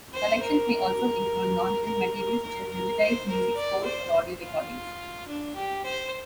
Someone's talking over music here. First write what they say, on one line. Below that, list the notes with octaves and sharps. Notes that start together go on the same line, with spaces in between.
Collections may also include non-print materials, such as digitized music scores or audio recordings.
C5
A#4
A#4
A#4
A#4
A#4
C5
A#4
D5
C5
F4
D4
G4
C5